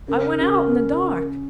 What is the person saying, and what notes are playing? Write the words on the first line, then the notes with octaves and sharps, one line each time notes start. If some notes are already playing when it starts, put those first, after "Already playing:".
'I went out in the dark.'
C#3 A#4
C#3